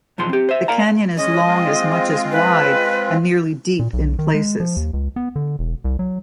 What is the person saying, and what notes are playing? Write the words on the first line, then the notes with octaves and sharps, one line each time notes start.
The "canyon" is long, as much as wide, and nearly deep in places.
B1 E2 F3 C6
C4 G4
C5 E5
A#4 D5 F5 A#5
G#3 C#4 D#5
G#3 C4 F4
B4
A#2
B1
D#3
G#3
F3
D#2
C#2
B3
D3
E1
C2
F#3